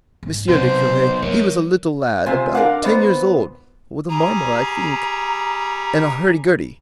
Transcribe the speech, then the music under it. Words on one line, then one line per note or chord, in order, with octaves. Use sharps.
Monsieur le Cure, he was a little lad, about ten years old, with a marmot, I think, and a hurdy-gurdy.
G#2
C3 F#3 B3 C5
F#3 A#3 A#4 C#5
C3 C4 F4 C5 F5 G#5
D4 A#4 D5 F5 F#5
A#2 B3 C5 D#5
G3 G#4 A#5